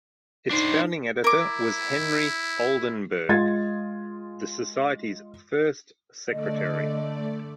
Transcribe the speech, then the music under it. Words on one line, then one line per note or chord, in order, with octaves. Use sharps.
Its founding editor was Henry Oldenburg, the society's first secretary.
D4 D#4 C5
E4 A#4 D6
G#3 F4 G#6 A6
D3 A3 D5 D#5